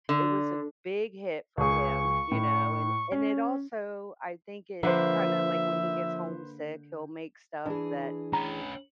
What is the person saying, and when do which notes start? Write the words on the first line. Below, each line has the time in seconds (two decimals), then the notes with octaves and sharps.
it was a big hit for him, you know, and and it also, I think it kinda like when he gets homesick, he'll make stuff that,
0.09 D3
1.57 C#2 G#4 C#6
2.31 A2
3.12 C#4
4.83 D3 F3 A#3 B4 C5 E5
7.66 E3 D4 G#4
8.33 C#4 B4 A#5